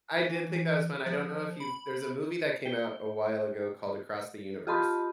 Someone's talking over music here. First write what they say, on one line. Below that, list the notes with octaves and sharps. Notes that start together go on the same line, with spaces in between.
I did think that was fun. I don't know if you've there's a movie that came out a while ago called Across the Universe.
E3
F3
B5
G5
F4 G4 D#5 A5 B5 C6